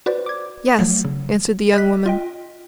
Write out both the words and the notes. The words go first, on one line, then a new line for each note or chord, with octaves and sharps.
"Yes," answered the young woman.
F#4 B4 C5 D5
D6 G#6
F3 F#3 A3
C#3
D#5 F#6 B6
F4 D#5 G5